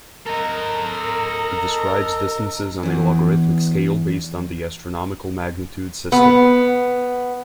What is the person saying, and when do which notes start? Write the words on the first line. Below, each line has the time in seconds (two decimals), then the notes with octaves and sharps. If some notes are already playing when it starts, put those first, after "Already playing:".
It describes distances on a logarithmic scale based on the astronomical magnitude system.
0.26 A4 A#4 D#5
2.83 E2 E3
6.12 B3